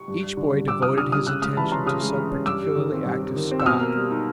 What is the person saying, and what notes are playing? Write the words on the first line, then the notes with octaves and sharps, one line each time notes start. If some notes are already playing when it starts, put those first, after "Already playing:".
Each boy devoted his attention to some particularly active stock.
Already playing: C#6
G2
G3
D3
G2
G2 D6 E6
G3 D#6 F6
D3 D#6 F6
G2 D#6 F6
C#3 E6 F#6
G#3 D#6 F6
E3 A5 B5
C#4 A#5 C6
C#3 D#6 F6
G#3
E3
C#4
G2 D6 E6
G3
D#3
C4
G2
G3
D#3
C4
E6
B2 D#6 F6
A#3
G3
D#4